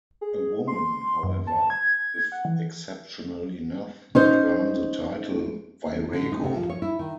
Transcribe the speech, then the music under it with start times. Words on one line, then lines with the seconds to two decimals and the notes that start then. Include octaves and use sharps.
A woman, however, if exceptional enough could earn the title "virago".
0.21 G#4
0.68 C6
1.23 F#2
1.47 A5
1.70 G#6
2.32 F#5
2.45 E3
4.15 C#4 D#4 C5
6.13 D3
6.32 D#4
6.44 C3
6.56 F3
6.70 C#5
6.82 E4
6.99 D#3